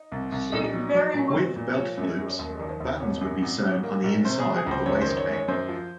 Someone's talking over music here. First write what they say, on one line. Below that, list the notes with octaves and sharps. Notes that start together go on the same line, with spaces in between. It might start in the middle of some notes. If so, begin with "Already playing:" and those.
With belt loops, buttons would be sewn on the inside of the waistband.
Already playing: D#4
C2
C2
A#1 D#4
F#3
F#3
A#2
F#3
A#2
F3 C#5
F#2
F#2
D#2
D#3
D#2
G#1 C#5
F#2
G#1
G#2
A#3
A#1
C3 C5
G#4
F#3
G#4
C#2 C5
F#2 C#5
C5
D#3
C#5
G#3
C#5
F#2 C5
F3